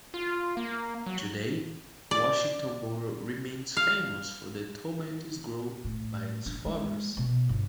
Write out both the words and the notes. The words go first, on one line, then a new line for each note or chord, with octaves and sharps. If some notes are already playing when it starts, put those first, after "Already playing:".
Today, Washington Boro remains famous for the tomatoes grown by its farmers.
F4
A#3
F#3
D5
F5
A2
D4
G#3
B2
G1